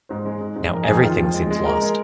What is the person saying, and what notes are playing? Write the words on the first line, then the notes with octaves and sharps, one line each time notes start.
Now everything seems lost!
G#2 C5
G#3
G#2
G#2
F2 A#4
G#4
F2 D#4
D#3 F4
F2
G#3
G#3
G#3 A#4
G#3